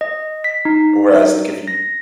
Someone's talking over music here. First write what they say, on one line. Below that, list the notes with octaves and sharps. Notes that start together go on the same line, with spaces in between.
whereas, like, if you
D#5
B6
D#4
A#6